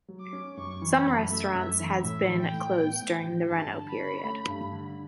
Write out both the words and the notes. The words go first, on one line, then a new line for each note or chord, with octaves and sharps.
Some restaurants has been closed during the reno period.
F#3
D6
C#4
F#2 C#6
E3
B5
F#2
A3 E5
F#2
E3
A2 E5
E3
G5
A2
B3
A2
E3
G2 A5
D3
B5
C#4
A3
G2
D3